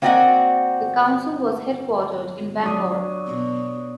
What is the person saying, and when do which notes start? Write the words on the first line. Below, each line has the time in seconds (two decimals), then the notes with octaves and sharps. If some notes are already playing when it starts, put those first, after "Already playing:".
The Council was headquartered in Bangor.
0.02 A#3 C4 F#4 D5 D#5 F#5
2.63 F#3 D4 C#5 D#6
3.27 B2